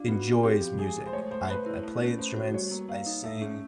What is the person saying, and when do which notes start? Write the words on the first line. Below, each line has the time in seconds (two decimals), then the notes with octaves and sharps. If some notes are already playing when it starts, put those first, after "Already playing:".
enjoys music." I I play instruments, I sing
Already playing: D4 F4
0.08 B3 F#4
0.26 B3
0.43 C4 G4
0.61 F3
0.79 G#3 G#4
0.97 G#3
1.06 C5
1.13 A3 C#5
1.31 A3 C5
1.45 C5
1.49 A3 B4
1.66 E4
1.83 A3
2.01 C#4
2.19 A3 C5
2.36 F#4
2.54 G3 C#5
2.71 A#3
2.89 A#3 F5
3.06 D#4
3.24 A3 E5
3.42 C#4